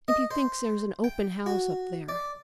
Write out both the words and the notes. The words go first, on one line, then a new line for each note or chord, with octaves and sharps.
"And he thinks there's an open house up there."
D#5
C5
G5
F#4
D5